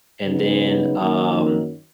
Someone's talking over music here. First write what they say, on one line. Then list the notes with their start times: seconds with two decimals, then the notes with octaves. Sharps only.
and then, um,
0.23 C#3 F#3 B3 D#4
0.97 F#2 D#3 F#3 A#3 D#4